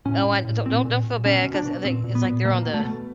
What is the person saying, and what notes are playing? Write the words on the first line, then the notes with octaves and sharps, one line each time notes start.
Oh, I d don't don't don't feel bad, 'cause, i like it's, like, they're on the
A2 C#4
A2
A2
A#2 C4
A#2
A#2
B2 C#4
B2
D4
B2
A#2 C4
A#2
B3
A#2
B2 A#3
B2
A3
B2